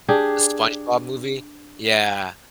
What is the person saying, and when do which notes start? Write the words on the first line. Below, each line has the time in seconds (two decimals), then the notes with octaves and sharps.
The SpongeBob movie? Yeah.
0.08 D4 G4 G#4